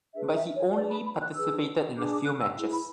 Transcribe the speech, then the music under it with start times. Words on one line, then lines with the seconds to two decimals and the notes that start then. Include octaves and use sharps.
But he only participated in a few matches.
0.14 D4 G#4 B4 E5
0.35 E5
0.55 C#5
0.75 D4 G#4 B4 D5
0.90 B5
1.05 B5
1.20 F#6
1.36 D4 G#4 B4 E6
1.96 D4 G#4 B4 D6
2.11 D6
2.26 F#6
2.41 E6
2.57 E4 G#4 B4
2.72 B5